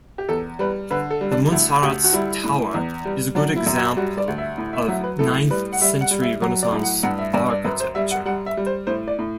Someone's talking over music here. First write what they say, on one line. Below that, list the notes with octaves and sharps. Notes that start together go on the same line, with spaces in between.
The Muntsaratz Tower is a good example of ninth century Renaissance architecture.
G4
E2 A4
G3 B4
D3 B4
A4
G3
D4
D2 E4
D2 G4
F#4
G3 E4
A2
E2
G3
F#3 D4
E4
F#2
F#4
G3 F#4
D5
D2
E5
A2
E5
F#3 E5
B4
A2 A4
G3 B4
F#5
G3 E5
F#5
G3
E5
F#3
D5
A2
F#5
G2 F#5
E5
G2 D5
D5
F#2 B4
C5
G3 E5
F#5
G3 F#5
E5
G3
C5
A2 C5
D5
A2